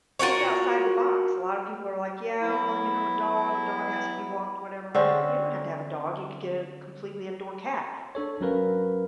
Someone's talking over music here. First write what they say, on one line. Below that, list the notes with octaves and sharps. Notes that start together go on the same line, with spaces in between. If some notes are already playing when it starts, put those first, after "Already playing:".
think outside the box, a lotta people are like, "Yeah, well you know, a dog, a dog has to be walked, whatever." Well you don't have to have a dog, you could get a completely indoor cat,
F4 F#4 A#4 C#5
E3 F#3 B3 E4
D3 C4 C#4
D4 A4 C#5
G#1 F#3 C#4 A#4 B4 F5